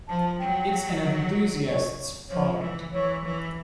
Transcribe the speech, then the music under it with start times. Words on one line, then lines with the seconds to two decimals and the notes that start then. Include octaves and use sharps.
It's an enthusiast's product.
0.08 F3 A5
0.40 F#3 G5
1.66 C#5
2.30 F3 C#5
2.61 E3
2.93 E3 C#5
3.24 E3